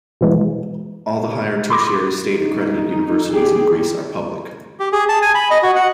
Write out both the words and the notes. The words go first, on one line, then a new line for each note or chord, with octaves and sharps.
All the higher Tertiary state-accredited universities in Greece are public.
B2 E3 G#3
B5 C6 D6 A#6
D#4
G4 G#4
G4
G#4
A5
G#5
B5
D#5
F#4
F#5